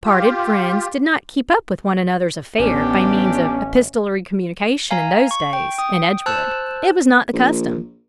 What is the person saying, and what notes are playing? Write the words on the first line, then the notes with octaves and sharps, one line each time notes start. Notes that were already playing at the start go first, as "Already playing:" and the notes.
Parted friends did not keep up with one another's affairs by means of epistolary communication, in those days, in Edgewood; it was not the custom.
F4 G4
A1 B3 C#4 D4 G4
F5 G#5 A#5
C#6
G5
G5 D#6
C5 A5 E6 F#6
A#1